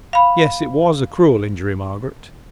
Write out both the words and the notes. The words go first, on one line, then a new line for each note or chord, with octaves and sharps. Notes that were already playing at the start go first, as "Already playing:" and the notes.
Yes, it was a cruel injury, Margaret.
F5 B5